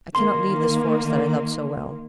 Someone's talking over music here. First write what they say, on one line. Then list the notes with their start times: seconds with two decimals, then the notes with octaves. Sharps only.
I cannot leave this Forest that I love so well.
0.15 D#3 A#3 C6